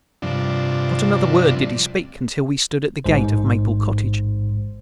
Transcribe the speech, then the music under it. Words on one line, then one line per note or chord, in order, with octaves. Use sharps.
Not another word did he speak, until we stood at the gate of Maple Cottage.
G2 C3 F3 D4
A1 G#2 C5